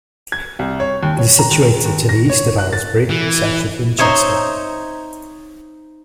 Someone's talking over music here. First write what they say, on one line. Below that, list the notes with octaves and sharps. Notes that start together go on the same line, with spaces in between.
It is situated to the east of Owslebury, south of Winchester.
G#6
C2
C#5
D#2
C#5
A#5
D#2
D#2
A#6
C#5
F#6
A6
E3
D#4 C5 C#5 E5